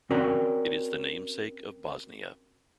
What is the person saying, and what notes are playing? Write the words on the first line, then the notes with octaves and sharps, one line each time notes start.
It is the namesake of Bosnia.
C4 C#4 F#4 A#4 D5